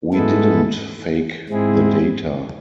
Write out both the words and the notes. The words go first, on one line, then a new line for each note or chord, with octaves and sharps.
We didn't fake the data.
G#2 G#3 B3 E4 A4
G#2 G#3 C4 E4 G#4